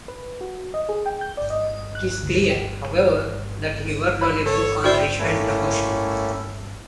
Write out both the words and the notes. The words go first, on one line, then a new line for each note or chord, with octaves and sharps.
It is clear, however, that he worked on a book on ratio and proportion.
B4
F#4
D#5
G#4
G5
G6
D5
D#5
F#6
D2
G4
B5
A4 C#5
E4 F#4 C5 D5 G5
A2 A3 A#3 C#4 E4 A4